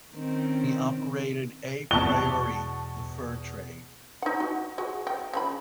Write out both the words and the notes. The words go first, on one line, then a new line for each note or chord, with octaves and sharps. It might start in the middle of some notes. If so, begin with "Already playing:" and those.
He operated "a priori" the fur trade.
D#3 C4 C#4
E2 B2 A5 C#6 F#6 G7
D#4 F#5
F#4
F#4 G#4
G5
C#3 F3 B5